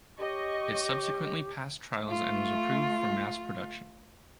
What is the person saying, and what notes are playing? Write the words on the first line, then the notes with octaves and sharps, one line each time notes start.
It subsequently passed trials and was approved for mass production.
G4 C#5 D#5 C#6
A3 F4